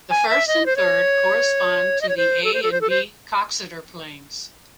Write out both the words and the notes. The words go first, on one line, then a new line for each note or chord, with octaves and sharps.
The first and third correspond to the A and B Coxeter planes.
G#5
E5
D#5
C5
C#5
D#5
C#5
C5
A4
C5
A4
C5
A4
C5